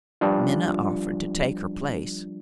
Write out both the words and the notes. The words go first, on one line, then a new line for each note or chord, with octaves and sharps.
Minna offered to take her place.
F3 G3 D4 F4